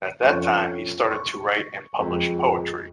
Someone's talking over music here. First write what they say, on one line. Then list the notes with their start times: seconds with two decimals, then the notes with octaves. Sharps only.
At that time he started to write and publish poetry.
0.23 F2 F3 A3 C#4 C#6
1.11 C#6
1.99 F2 F3 G#3